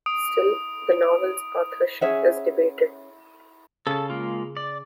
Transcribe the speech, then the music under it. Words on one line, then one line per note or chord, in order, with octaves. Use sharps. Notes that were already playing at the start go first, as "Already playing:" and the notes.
Still, the novel's authorship is debated.
D#6 D7
C#4 G#4 E5 F#5
C#3 A4 A5
G#3 A#3 F4
D5